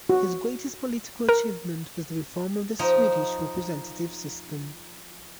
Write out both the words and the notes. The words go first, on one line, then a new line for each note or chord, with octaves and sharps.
His greatest political achievement was the reform of the Swedish representative system.
F#4
A#4
F3 D#4